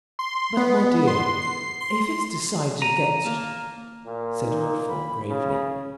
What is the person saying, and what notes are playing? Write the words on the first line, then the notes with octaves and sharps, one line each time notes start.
"But, my dear, if it's decided against you--" said Lord Fawn gravely.
C6
B3
C6
C7
C6
A#5 D#7
A#3 A#4 A5
A#2 F4
D#4
B5
C#3 C#4